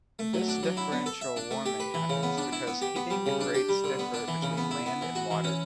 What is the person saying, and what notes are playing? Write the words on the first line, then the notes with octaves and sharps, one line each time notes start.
This differential warming happens because heating rates differ between land and water.
A3
F#3
D4
F#3
E4
B3
A4
E5
D4
A3
G4
B4
E3
C#3
B3
D4
E4
B3
G4
B3
G3
C#3
D4
G4
G3
D3
B3
D4
E3
C#3
B3
E4
B3
E3
F#4
E3
C#4